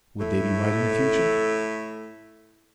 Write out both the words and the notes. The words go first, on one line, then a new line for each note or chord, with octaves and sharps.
Would they be right in the future?
A2 A3